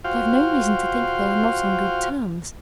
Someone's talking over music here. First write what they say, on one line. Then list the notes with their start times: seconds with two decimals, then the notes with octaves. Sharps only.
But I've no reason to think they are not on good terms.
0.04 F4 F#4 C5 F5 G5